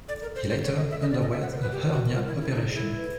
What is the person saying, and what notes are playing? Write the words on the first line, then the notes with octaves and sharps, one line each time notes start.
He later underwent a hernia operation.
A4 D5
A#4
C5
C5
C#5
D#5
E5
D#5
D5
D#5
E5
F#5
C5
A#4
B4
G4 B4
A#4
F#4
F4
E4
E4
D#4 A4
G#4
E4
A4
B4